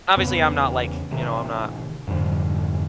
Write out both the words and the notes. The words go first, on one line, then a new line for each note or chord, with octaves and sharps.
Obviously, I'm not like, you know, I'm not
E2 C#3 B3
A1 C3 D#3
F2 G#2 D3 G3